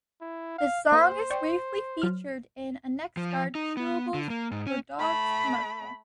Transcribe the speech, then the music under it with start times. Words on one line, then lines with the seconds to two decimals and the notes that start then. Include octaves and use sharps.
The song is briefly featured in a Nexgard Chewables for Dogs commercial.
0.22 E4
0.58 F5
0.92 A#3 C5
1.30 D5 G5 C#6
2.02 F#3 F6
3.17 F3
3.55 D#4
3.77 B3
4.14 D3
4.30 A#3
4.51 G#2
4.67 C#4
4.99 A3 B5